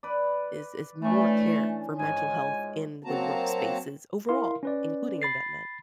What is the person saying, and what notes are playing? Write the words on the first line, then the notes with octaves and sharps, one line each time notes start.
is is more care for mental health in the workspaces overall, including in vet med.
B4 D5
E3 A3 C#4 D4
G#2 F4 C#5 G#5
F#3 A#3 C4 F#4 A5 A#5
E4 A#4 F5 C6
C#4 B4 D5
B5 A6 C7